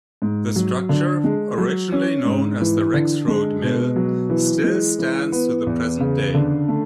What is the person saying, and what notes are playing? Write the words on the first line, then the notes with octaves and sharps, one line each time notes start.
The structure, originally known as the Rexrode Mill, still stands to the present day.
G#2
F#3
D3
G#3
F#3
C#4
G#2
E3
D3
G#3
B2
F#3
E3
G#3
E3
B3
E2
C#3
D3
A3